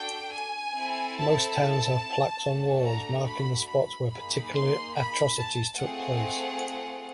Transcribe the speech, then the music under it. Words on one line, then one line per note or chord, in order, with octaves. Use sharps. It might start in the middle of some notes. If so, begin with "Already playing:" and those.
Most towns have plaques on walls marking the spots where particular atrocities took place.
Already playing: D4 F#4 A4 G5
G#5
C4 E4 A4
A5
A3 D4 F#4 A4
A#5
B5
B5
A#3 D#4 G#4 B5
C6
B5
A5
A3 C4 F4 G#4 F#5